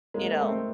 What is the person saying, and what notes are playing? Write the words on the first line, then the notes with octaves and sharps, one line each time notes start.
You know?
G#3 A#3
C4
A3
C4